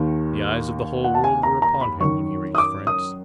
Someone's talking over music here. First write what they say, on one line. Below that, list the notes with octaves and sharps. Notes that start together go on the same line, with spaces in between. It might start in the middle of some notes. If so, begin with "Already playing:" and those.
The eyes of the whole world were upon him, when he reached France.
Already playing: D#2 D#3
F#5
A5
G#5
A#5
A#5
B5
F#2 D#3 C#6
D#6
D6
D#6